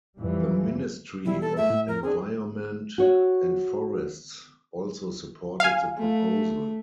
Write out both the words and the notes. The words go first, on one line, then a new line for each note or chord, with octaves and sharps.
The Ministry of Environment and Forests also supported the proposal.
F2 E3 G3
B2 E3 G3 E4
A4
G2 A3 E5
A2
A#4
C4 D4 G#4
F#4 C#5
F5 G#5
A3